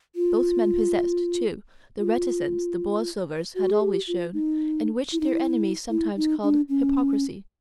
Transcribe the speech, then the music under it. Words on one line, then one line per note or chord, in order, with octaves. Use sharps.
Both men possessed, too, the reticence the Borlsovers had always shown, and which their enemies sometimes called hypocrisy.
F4
F4
F#4
G#4
G4
F4
D#4
E4
D#4
E4
E4
D#4
D4
C#4